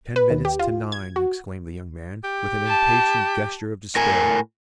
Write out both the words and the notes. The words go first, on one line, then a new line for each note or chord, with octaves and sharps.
"Ten minutes to nine!" exclaimed the young man, with an impatient gesture of despair.
B4
D#2
G4
F4
G#6
F#4
G4
A5
A2 A#4 G#5